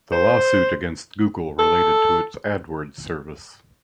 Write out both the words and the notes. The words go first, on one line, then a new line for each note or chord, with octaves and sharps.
The lawsuit against Google related to its AdWords service.
C5
A4